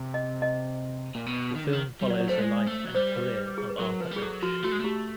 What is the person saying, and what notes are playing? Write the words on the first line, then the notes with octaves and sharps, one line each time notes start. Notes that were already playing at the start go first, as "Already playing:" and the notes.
The film follows the life and career of Arthur Ashe.
Already playing: C3
D#5
D#5
A#2
B2
D#3
D3
D#3
G3
F#3 D5
C#5
A3 C5
G#3 C#5
A3
F#3
G3 C5
B4
G#4
B4
F#3 A#4
F3 B4
G3
G#4
F#3 A4
F3 F#4
A3 F#4
G#3
A3 G4